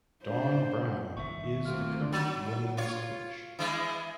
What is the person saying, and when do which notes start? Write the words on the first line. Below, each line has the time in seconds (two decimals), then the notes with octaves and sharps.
Dawn Brown is the current women's coach.
0.24 D4 C5
1.17 G1 D#2 D#3 E5 C#6
1.65 A3 A#3 C4 F4 F6
2.12 F#3
2.77 F4 C#5
3.59 E3 G#3 E4